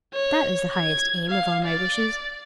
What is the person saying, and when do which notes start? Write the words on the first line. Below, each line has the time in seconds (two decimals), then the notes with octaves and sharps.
That is the highest aim of all my wishes!
0.14 C#5
0.73 G#6
1.29 F5
1.64 D5